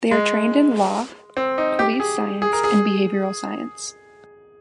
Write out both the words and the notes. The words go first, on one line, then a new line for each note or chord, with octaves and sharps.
They are trained in law, police science, and behavioral science.
G#3
C4
D#4
G4
G#4
G#4
A#4
G#4